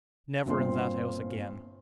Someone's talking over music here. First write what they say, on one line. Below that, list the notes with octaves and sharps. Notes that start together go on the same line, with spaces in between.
Never in that house again!
G1 A#2 C4 F4 C5 C6